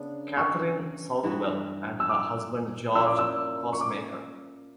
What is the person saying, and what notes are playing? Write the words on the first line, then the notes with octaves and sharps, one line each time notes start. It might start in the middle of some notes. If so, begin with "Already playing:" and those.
Catherine Southwell and her husband George Coussmaker.
Already playing: C#3 B3 D4
C#6
G2 E3 B3 F#4
E6
D6
A#2 A#3 C#4 E4 E6
D6
E6
C#6
D6